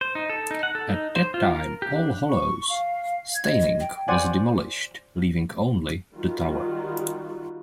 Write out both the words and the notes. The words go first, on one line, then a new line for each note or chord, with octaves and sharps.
At that time All Hallows Staining was demolished, leaving only the tower.
C5
D#4
A4
D#4
F#5
A4
D#4
C5
F4
A#4
G4
D4
C#6
F5
G#6
D#5
G5
C5 D5 F#5 G#5
D#3 G3 F4 F#4